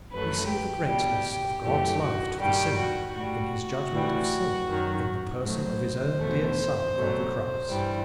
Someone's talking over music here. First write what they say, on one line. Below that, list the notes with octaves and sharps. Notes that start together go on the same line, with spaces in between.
We see the greatness of God's love to the sinner in his judgment of sin in the person of his own dear Son on the cross.
F#2 F#3 A3 B4
G4
B2 G3
F#2 E3 A3 G4
F#4
G2 D#3 G3 G4
F#4
A2 G3 F#4
A2 E3 G3
F#2 D#3 F#3
A2 F#3 A3 C5
E2 B2 A3
B2 F#3 A3
G2 E3 G3